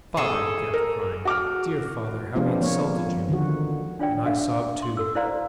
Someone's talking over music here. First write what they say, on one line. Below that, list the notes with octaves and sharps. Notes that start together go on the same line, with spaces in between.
'Father,' he kept crying, 'dear father, how he insulted you!' And I sobbed too.
G#4 A4
A#4
F#4 D6 F6
F3 G#3 B3 C4 D4 F4
F3 A#3 C#5
D3 D#3 F3 F#4
D4 F4 C#5 D5 G5
D4 F#4 G#4 E5 F5
C6
F#4 A4 E6
E4 B4 C5 D5 F5 A#5